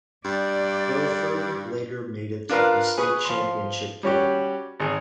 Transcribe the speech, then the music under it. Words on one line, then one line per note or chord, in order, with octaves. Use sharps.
Milford later made it to the state championship game.
G2 D5
D4 F4 A#4 B4 F5
G#4 B4 C#6 D#6
F3 C6
G3 C#4 F#4 G4
G#1 G#4